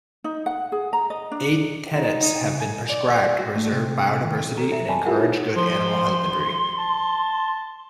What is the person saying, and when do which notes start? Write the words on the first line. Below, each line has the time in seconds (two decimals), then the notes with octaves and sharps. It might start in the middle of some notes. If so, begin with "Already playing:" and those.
Eight tenets have been prescribed to preserve bio-diversity and encourage good animal husbandry.
0.24 D#4
0.46 F#5
0.72 G#4
0.93 A#5
1.10 D#5
1.31 D4
1.96 D#4
2.22 D#4
2.44 C#3
2.60 G#5
2.90 D5
3.39 F#4
3.55 A3
3.72 C3
4.25 D#3
4.56 A4 A#5 C#6
4.72 E5 A#5
4.89 D#5 G#5 A5 B5 C#6
5.05 E4 F4 G4 A#4 E5 F#5
5.20 D#4 E4 G4 B4 C#5
5.56 F3 C6
6.78 A5